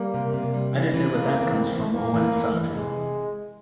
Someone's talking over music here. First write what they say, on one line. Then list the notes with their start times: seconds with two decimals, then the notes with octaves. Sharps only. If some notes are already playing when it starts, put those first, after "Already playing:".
I don't know where that comes from or when it started.
Already playing: G3 A#3
0.14 C3
0.34 C3
0.54 G3
0.74 E3
0.94 E3
1.14 G#3 A#3
1.34 C4
1.54 E3
1.74 E3
1.94 F2 A#3
2.14 E3
2.34 F2
2.55 E3
2.74 C3 G#3